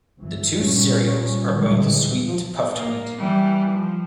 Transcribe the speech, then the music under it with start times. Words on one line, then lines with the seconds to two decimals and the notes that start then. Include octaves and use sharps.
The two cereals are both sweetened puffed wheat.
0.20 G1 E3
0.60 A#2 G3 C#4
1.51 D#2 A#2 D3 E3 G3 G#3
2.76 A#3
3.18 E3 G3
3.69 F3